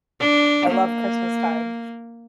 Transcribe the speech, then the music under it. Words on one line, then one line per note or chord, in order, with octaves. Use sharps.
I love Christmas time.
D4
A#3